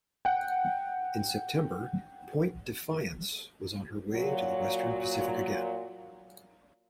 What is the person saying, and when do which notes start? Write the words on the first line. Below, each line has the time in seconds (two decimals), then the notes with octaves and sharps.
In September "Point Defiance" was on her way to the western Pacific again.
0.25 F#5 G5
4.12 A#2 F#3